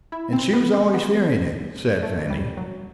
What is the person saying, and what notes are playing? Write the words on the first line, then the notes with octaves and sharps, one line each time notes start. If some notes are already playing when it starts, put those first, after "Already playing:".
"And she was always fearing it," said Fanny.
E4
C4
B3
C4
B3
A3
G3
F#3